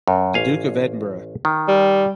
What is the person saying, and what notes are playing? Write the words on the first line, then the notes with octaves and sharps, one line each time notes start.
The Duke of Edinburgh.
F#2
A1 F5 G#5
D#3
G3